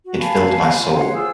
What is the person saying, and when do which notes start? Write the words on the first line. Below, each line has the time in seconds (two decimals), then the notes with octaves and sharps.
It filled my soul.
0.05 F#4
0.20 F5 G#5 A5 B5
0.79 F4
0.94 C#5 F5 F#5 C6
1.13 F4 G#4 C5 E6